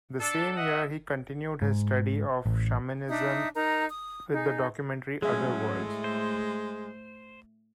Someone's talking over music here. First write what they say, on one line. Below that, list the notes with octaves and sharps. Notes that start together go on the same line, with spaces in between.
The same year, he continued his study of shamanism with the documentary "Other Worlds".
D4 A4
F#4 D#5 E5 F#5
G#2
A1
D4 D#4 E5 D#6
D#4 A#4 A#5
D#6
D#4 G#4
A2 F#3 G#3 A3 C#4 G#4 E5
C5